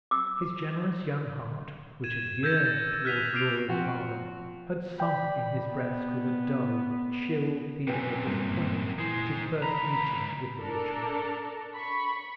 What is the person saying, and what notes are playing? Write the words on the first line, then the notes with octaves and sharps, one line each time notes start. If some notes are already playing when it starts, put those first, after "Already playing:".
His generous young heart, which had yearned towards Laura's father, had sunk in his breast with a dull, chill feeling of disappointment, at his first meeting with the rich man.
D6 E6
G#6 D#7 E7
E6 G6 G#6 A#6 C#7
E6 A6
F6 F#6 B6 D#7 F7
D6 F6 C7 D7 F7
F3 C4 F4 F#4
D5 G5 B5
B3
F#2 C3 B4 G5 G#5
G2 A#2 A#3 G5
A#2 E3 G#4 C5
C#2 A#5 B5 B6
D4 A4 A#4 A5
B5 C#6